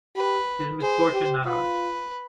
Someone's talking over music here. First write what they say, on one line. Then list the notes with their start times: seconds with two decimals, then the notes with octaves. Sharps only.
His misfortune, not ours.
0.16 G4 B4
0.81 G#4 C5
1.13 G4
1.46 F4 B4